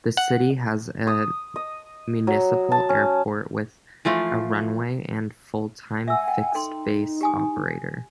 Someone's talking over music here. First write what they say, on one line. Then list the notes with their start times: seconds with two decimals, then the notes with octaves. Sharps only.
The city has a municipal airport with a runway and full-time Fixed-base operator.
0.17 F#5
1.07 D#6
1.56 D#5
2.27 F#3
2.72 A5
2.89 C#4
4.05 E3 F3 A3 F4
6.08 E5 F#5 G#5 E6
6.28 G5
6.55 D#4 A4 G5 C6
7.21 G4 G#5 D#6